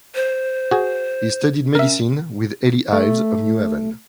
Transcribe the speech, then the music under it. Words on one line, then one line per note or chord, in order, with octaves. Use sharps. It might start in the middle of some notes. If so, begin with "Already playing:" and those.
He studied medicine with Eli Ives of New Haven.
C5
F#4 G#4
C#4 A#4 E5
A3